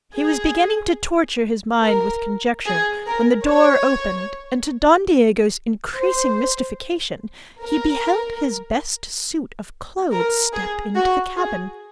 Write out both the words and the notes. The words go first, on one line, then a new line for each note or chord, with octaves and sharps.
He was beginning to torture his mind with conjecture, when the door opened, and to Don Diego's increasing mystification he beheld his best suit of clothes step into the cabin.
G#4
A#4
G#4
A#4
C#5
C5
A#4
A#4
G#4
F#4
G#4